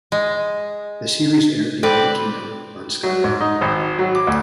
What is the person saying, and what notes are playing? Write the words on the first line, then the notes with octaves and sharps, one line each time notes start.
The series aired the United Kingdom on Sky One.
G#3
C4 A4 B4 D5 G5
F#3
G#2
D#4
G#1
F#3
D6
D2